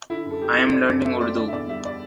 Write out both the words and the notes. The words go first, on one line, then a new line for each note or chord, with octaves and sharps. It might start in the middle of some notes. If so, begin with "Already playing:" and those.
I am learning Urdu.
D3 E4
F#2 A4
A3 G4
C4 E4
D3 D5
F#2 D5
A3 E5
C4 D5
D3 D5
E5
E2 D5
G3 E5
D5